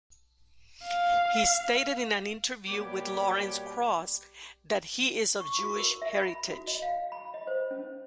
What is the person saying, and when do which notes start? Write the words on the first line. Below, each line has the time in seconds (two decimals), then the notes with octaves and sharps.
He stated in an interview with Lawrence Krauss that he is of Jewish heritage.
0.84 F5
2.68 B2 G3 A#3 G4 C#5 G5
5.40 C#6
5.59 F#4
5.76 A#4
6.02 E5
6.22 B5
6.48 F#4
6.68 D#5
6.82 F5
7.12 B5
7.34 D#5
7.47 C5
7.71 C#4